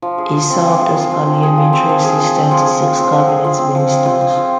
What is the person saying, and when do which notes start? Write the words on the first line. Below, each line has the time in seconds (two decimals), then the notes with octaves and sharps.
He served as parliamentary assistant to six cabinet ministers.
0.02 F3
0.18 G#4
0.34 F4
0.50 C4
0.66 F3
0.81 G#4
0.96 F4
1.11 C4
1.27 F3
1.43 G#4
1.57 F4
1.73 C4
1.89 F3
2.05 G#4
2.21 F4
2.36 C4
2.51 F3
2.66 G#4
2.83 F4
2.98 C4
3.13 F3
3.29 G#4
3.45 F4
3.59 C4
3.75 F3
3.91 G#4
4.06 F4
4.21 C4
4.37 F3